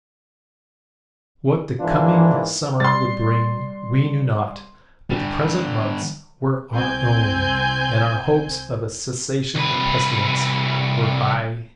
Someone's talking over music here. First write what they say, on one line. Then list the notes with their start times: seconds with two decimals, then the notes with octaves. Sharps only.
What the coming summer would bring, we knew not; but the present months were our own, and our hopes of a cessation of pestilence were high.
1.80 G#2 B2 E3 A#3 D4 F4
2.80 G3 D5 C6 A6
5.10 D3 G3
6.73 C2 C4 G#5 G6
9.55 C2 B4